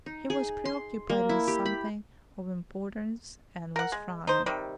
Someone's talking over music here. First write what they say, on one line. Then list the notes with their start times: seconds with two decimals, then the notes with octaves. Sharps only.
He was preoccupied with something of importance and was frowning.
0.06 D#4
0.30 G#4
0.65 C6
1.10 A#3
1.29 E4
1.48 G4
1.66 B5
3.76 A#4 F#5
3.92 G#3
4.27 D#4 C5
4.46 C3 D#3 G3